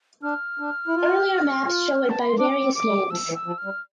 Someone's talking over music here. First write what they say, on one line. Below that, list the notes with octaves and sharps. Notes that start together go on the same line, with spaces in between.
Earlier maps show it by various names.
D4 F6
D4
E4
F4
F4
A5
B5
C6
D4 D6
C4
D6
G3
F3 E6
E3
E6
F3
F6
G3